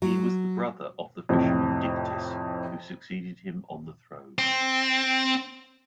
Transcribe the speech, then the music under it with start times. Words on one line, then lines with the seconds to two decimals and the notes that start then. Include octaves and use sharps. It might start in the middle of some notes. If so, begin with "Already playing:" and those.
He was the brother of the fisherman Dictys who succeeded him on the throne.
0.02 F#3
1.29 F2 A2 C3
4.38 C4